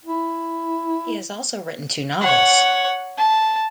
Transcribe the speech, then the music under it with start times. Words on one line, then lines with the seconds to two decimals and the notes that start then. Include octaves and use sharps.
He has also written two novels.
0.05 E4
2.21 C#5 F#5
3.18 A5